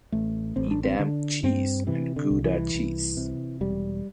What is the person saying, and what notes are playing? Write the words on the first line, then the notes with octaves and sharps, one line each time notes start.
Edam cheese and Gouda cheese.
A1 A3
A1 C4
D4
C4
D3 D4
G2 C4
C3 E3
D3
C2
E3
C2
C3
E1 G3